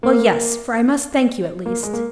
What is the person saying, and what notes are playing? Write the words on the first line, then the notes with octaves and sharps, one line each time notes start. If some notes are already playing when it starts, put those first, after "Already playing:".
"Well, yes! for I must thank you at least."
A#3
A#3
G#3
A#3